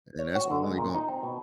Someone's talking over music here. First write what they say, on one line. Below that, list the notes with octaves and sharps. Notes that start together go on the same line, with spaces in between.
And that's only gonn
C#5
F#4
D3
G#3
A#2
D#4
C4
B2